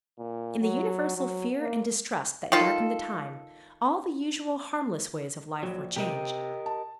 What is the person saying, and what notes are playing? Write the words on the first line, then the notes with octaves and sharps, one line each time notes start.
In the universal fear and distrust that darkened the time, all the usual harmless ways of life were changed.
A#2
F#3
F#3
A#3
D#3 F4 A4
A#1 F#3
C3 G4 A#4 D#5
A5